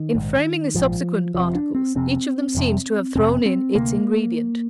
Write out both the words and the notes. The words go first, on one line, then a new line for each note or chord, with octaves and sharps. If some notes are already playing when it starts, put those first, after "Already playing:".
In framing the subsequent articles, each of them seems to have thrown in its ingredient.
Already playing: D#3
A#1 G#2
A#1 G#2 F3
F1 F2 C3 F3
D4
C4
F1 F2 C3 C4
F1 F2 C3
F1 F2 C3 C4
C4
D2 C3 A#3